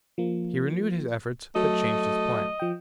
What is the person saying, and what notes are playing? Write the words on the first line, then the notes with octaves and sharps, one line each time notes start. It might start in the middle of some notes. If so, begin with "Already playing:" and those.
He renewed his efforts, but changed his plan.
F3 A#3
F#3 A3 D#5
F3 G5